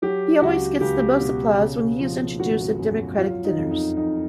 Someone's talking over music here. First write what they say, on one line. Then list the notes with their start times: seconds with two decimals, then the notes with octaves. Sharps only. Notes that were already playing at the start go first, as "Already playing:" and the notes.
He always gets the most applause when he is introduced at Democratic dinners.
0.02 F#3 G4
0.42 C#2 F#4
0.81 C#2 G4
1.21 B2
1.60 C#3
2.00 F3
2.39 G#1 F#4
2.79 F#2
3.18 F#3 F4
3.44 D#4
3.58 F2
3.71 D#4
3.97 F2 D#4